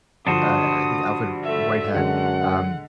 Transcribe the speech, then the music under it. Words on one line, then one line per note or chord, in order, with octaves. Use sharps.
uh, I think, Alfred Whitehead, um,
G2 D3 F3 D4 F#4 C5 D#6
A3 E5
F#2 D3 G#3 F#5